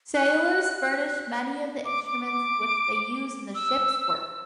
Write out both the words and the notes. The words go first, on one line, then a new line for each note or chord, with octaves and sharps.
Sailors furnish many of the instruments which they use in the ship's work.
F#6
D6
D6
D6
E6